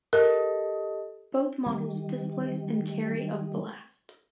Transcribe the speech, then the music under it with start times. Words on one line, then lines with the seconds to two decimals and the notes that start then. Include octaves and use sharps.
Both models displace and carry of ballast.
0.13 G4 A4 A#4 D#5
1.66 D#3 G3